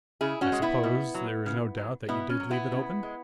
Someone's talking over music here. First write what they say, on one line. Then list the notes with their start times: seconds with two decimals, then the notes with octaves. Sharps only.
'I suppose there is no doubt that you did leave it open?'
0.21 C#3 E4 G#4
0.41 C#4 F#4
0.52 G#3
0.62 B3 E4
0.83 B2
1.14 F#3
1.46 C#3
1.77 F#3
2.08 B2 B3 E4
2.30 C#4
2.40 F#3
2.50 B3 E4
2.72 C#3
3.03 G#3